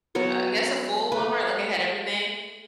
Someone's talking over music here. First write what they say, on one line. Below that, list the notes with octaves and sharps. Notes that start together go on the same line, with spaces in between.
Uh, I guess a full Walmart, like, it had everything.
F#3 B3 C#5
A3 B4